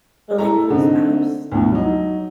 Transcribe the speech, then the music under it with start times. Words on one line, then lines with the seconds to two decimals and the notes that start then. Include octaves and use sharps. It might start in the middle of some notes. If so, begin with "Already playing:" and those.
but, like, with a spouse,
0.38 E4 A4 A#5
0.70 D3 C4 D#4
1.52 D2 B2
1.72 F#3 D#4